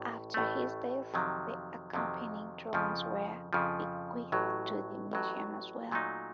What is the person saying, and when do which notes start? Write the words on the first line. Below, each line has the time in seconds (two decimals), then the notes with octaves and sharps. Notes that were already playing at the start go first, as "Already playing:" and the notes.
After his death, the accompanying drawings were bequeathed to the museum as well.
Already playing: A1 A2
0.34 A1 A2 A3
1.14 F2 C3 D#3 F#3
1.93 F2 C3 D#3 F#3
2.73 F2 C#3 F3
3.53 F2 C#3 F3
4.32 A1 A2 F#3
5.11 A1 A2 F#3
5.91 A#2 F#3 A3 D#4